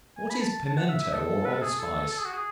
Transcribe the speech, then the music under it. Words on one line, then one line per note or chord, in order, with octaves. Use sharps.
What is Pimento or Allspice?
G#5
B5
A5
A5
F#5
E5
E5
A4
B4
A4
G#4
A4
A4
A4
G#4
F#4
G#4